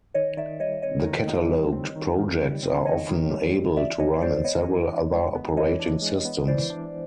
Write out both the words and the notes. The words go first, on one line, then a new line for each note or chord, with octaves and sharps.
The cataloged projects are often able to run in several other operating systems.
D#3 C#5 D#5
D#3 D5 E5
G3 C#5 D#5
C4 C#5 D#5
D#3
D#3
G3
C4
D#3
D#3
G3
C4
D#3 C#5 D#5
D#3
G3
C4
E3 D5 E5
D4 C#5 D#5
G#3 C5 D5
B3 C#5 D#5
E3
D4
G#3
B3
E3 C#5 D#5
D4
G#3
B3
E3 C5 D5
D4